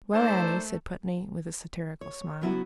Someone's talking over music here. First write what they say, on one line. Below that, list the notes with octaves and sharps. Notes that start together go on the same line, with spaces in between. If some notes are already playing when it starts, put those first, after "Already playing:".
"Well, Annie," said Putney, with a satirical smile.
A3 D#4 A#4 C5 D5 E5 A5
C#5
C#3 F#3 B3 E4 F#4